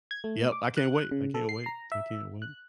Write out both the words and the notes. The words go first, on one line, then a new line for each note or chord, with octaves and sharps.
Yep, I can't wait, I can't wait, I can't wait.
G#6
A3
D6
F#6
C#3
A4
C7
A#5
E5
F#6